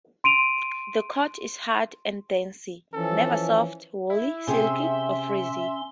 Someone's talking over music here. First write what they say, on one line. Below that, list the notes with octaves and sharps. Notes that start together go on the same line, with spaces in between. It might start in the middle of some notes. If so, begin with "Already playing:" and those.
The coat is hard and dense, never soft, woolly, silky or frizzy.
C6 D7 D#7 F7
E3 F3 C#4 A4
E4
C3 C#4 G#4 E5 C6